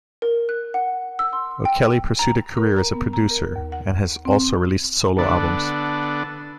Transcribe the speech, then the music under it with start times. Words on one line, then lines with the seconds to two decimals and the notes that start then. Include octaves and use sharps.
O'Kelly pursued a career as a producer and has also released solo albums.
0.22 A#4
0.49 F#6
0.74 F#5
1.19 E6
1.33 C6
1.65 G5
2.19 A#5
2.57 A#4
2.77 A#5
2.94 B3
3.13 A#5
3.30 A#4
3.56 D#2
3.72 F#5
4.25 C4
5.18 D3 B3 D4 A4